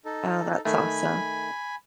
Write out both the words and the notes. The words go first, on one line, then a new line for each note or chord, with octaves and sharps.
Oh, that's awesome.
D#4 A4
D#3 A3 G#5 B5